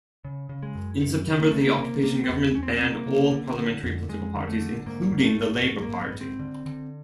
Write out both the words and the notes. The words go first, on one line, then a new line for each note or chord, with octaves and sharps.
In September, the occupation government banned all parliamentary political parties, including the Labour party.
C#3
C#3
G#3
F#2
F#2
C#3
A#3
C#3 A3
A#3
C3 A#3
C3 A#3
C4
E2 B3
E2 C#4
C4
B3
C3 C4
A#3
C3
D3
D3
F2
F2 G#3
D3
A3
D3
G#2 A#3
G#2
A#3
A3
G#2
G#2 A3
A#3
G#2
B3
G#2
C4
D3
D3